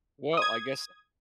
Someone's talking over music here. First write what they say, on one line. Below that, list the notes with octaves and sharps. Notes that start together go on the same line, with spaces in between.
Well, I guess
D#6 G#6